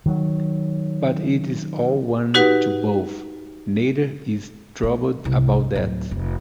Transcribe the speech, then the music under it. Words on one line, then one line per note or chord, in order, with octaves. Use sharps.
But it is all one to both; neither is troubled about that.
D#3 F#3
D#4 F#4 G4 B4 F#5
A3
C2
D1
F1